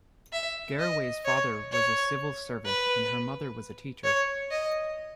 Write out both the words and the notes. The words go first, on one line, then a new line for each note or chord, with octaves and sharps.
Garraway's father was a civil servant and her mother was a teacher.
E5
D#5
C#5
C#5
B4
C#5
D#5